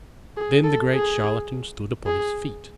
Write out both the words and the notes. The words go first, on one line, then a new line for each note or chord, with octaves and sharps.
Then the great charlatan stood upon his feet.
G#4
A4
G#4
G#4